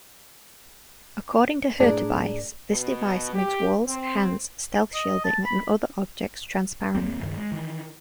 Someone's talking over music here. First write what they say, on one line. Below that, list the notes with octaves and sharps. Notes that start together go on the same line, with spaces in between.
According to Hurtubise, this device makes walls, hands, stealth shielding, and other objects transparent.
A2 D4 G#4 A#4
B2
G4
C4
D#5
A5
B5
D#2 A#3 C4
C#2 G2 D#3
G#3
D#3 E3